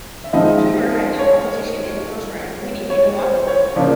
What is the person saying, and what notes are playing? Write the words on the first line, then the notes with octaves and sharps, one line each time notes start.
Tremeer had no competition in the first round, winning in a walkover.
E5
F3 G#3 C4 D#4 D#5
C#5
C#5
C5
C#5
C#3 F3 A#3 D4 D5